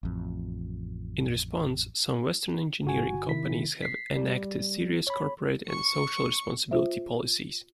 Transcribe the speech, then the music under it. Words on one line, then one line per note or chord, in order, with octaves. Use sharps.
In response, some western engineering companies have enacted serious corporate and social responsibility policies.
A1 F2
G1 F#4 G#5
C3 D#3 E4 B6
B6 C7
G3
C#5 B5
C#6 C#7
F4 C5 E5